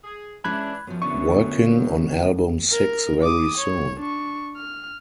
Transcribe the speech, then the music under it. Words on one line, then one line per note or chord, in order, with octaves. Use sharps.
Working on album six very soon.
G#4
E3 G#3 C#4 D4 E4 B5 F#6 G#6
F#2 F3 B3
D3 B3 C#4 E4 D5 C#6
A#4
D6 D#6
C#5
D4 C#6
F6